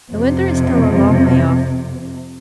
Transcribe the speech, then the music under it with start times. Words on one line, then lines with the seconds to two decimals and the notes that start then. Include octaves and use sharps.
The Winter is still a long way off.
0.11 F2 C3